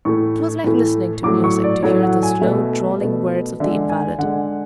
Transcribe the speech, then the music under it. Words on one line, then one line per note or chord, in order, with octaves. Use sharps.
It was like listening to music to hear the slow, drawling words of the invalid.
A2 E3 A3 C#6
A2 E3 A3
A2 F#3 A3 D6
C#6
D5
A2 F#3 A3 C#5
F#5
G#5
B2 A3 E5
B2 A3
D3 G#3 E5
G#5
D3 G#3 F#5